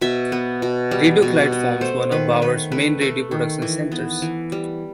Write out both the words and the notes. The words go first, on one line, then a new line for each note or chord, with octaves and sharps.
Radio Clyde forms one of Bauer's main radio production centres.
B2 E5
B3
B2
G3
B2
B3
A3 C5
D#3 B4
D#3 B4
A3 B4
A3
D#3
E3
B3
E3
G3